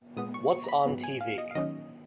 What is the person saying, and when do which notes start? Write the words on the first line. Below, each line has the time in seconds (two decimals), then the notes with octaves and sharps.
What’s on T V?
0.16 A#2 G#3 B3 D#6
0.34 C#6
0.51 C#6
0.64 A#5
0.68 B5
0.86 G#2 F#3 B3
1.03 G#5
1.21 F5
1.38 D#5
1.51 F5
1.55 D#3 F#3 C#4 D#5